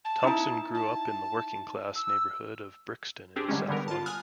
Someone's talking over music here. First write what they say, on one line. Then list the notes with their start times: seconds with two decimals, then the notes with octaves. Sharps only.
Thompson grew up in the working-class neighbourhood of Brixton in south London.
0.04 A5
0.24 D#4 E4
0.74 A5
1.95 E6
3.36 C4 D4 G4 G#4
3.48 D3 D#3 G3 G#3 C#4
3.68 D3 G3 B3 A#4
3.88 F4 A5
4.06 G#5 D#6 F6 F#6